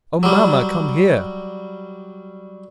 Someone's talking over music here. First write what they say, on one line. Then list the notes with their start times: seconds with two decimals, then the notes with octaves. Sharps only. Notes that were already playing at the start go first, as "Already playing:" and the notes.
Oh, mamma, come here.
0.23 F#3 G3